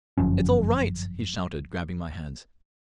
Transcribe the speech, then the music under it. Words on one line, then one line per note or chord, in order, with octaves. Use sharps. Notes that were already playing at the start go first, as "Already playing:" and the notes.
"It's all right!" he shouted, grabbing my hands.
G1 F#2 F3 C#4